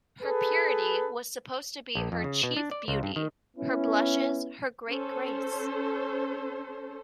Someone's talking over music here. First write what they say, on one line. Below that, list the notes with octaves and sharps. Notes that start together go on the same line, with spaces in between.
Her purity was supposed to be her chief beauty--her blushes, her great grace.
G#4 A4 B4
A#1
F2
C#3
B2
D4
D5
C#2
G2
D#3
B3 C#4 E4
C#4 A4 C5